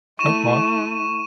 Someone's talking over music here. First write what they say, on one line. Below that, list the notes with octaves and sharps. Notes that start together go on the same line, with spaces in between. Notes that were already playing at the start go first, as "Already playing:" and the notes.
Oh, cool.
A3 E4 C#6 D#7 E7